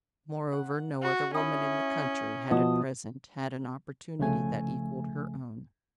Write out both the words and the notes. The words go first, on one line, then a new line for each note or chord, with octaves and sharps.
Moreover, no other woman in the country had at present had an opportunity that equaled her own.
F#5
F#4
C#4 E4 B5 D#6
B2 F3 B3 D#5 A5 D#6
C2 C#3 F3 A3 G#5